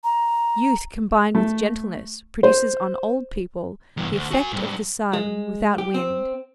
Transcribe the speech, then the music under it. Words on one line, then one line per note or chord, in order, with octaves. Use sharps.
Youth combined with gentleness produces on old people the effect of the sun without wind.
A#5
A3
C5
E2 G2
D2
F#4 G#5
G#2 G3
G#3
G4
C4